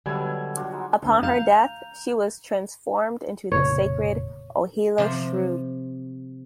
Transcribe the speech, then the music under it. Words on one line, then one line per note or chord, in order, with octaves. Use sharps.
Upon her death, she was transformed into the sacred 'Ohelo shrub.
B2 D3 F#3 G3 B4 E5 G#5
D4 F4 F#4
G#3 D#4 F#5
D2
F5 A#5 G6 F7
F1 A#2 C#3 C#5
C3 F3 C5